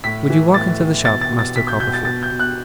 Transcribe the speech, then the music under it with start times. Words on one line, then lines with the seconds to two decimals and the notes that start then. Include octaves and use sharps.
Would you walk into the shop, Master Copperfield?'
0.04 A2 B6
0.30 E3
0.54 A2 A6
0.79 E3
1.05 B2 A6
1.21 A6
1.30 B2
1.39 A6
1.55 B2 B6
1.68 G6
1.80 B2 G6
1.94 A6
2.05 B2 A6
2.23 G6
2.31 B2
2.39 F#6